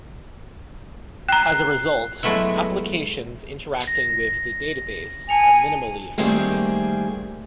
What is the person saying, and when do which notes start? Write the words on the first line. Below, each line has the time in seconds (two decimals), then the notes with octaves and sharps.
As a result, applications interacting with the database are minimally affected.
1.29 G5 A#5 F#6 C7
2.23 F#3 G#3 A3 B3 E4
3.87 A#6
5.29 G#5 A5 C#7 F7
6.18 D#3 G3 A3 A#3 C4 G#4